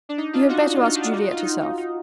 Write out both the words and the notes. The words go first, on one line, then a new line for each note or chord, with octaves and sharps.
You had better ask Juliet herself.
D4
D#4
D4 F4
D#4 F#4
F#4
F4
D#4
D4 F4
D#4 F#4
F4
D#4 F#4
D#4
D#4